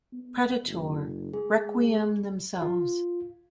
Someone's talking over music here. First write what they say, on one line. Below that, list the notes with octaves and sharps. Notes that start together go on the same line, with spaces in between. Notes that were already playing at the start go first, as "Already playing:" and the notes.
Predator: Requiem themselves.
B3
F#1
G#3 G#4
F4